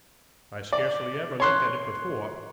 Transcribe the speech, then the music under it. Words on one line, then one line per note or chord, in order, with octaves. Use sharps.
'I scarcely ever looked at it before.
D5
C#5 C6 F#6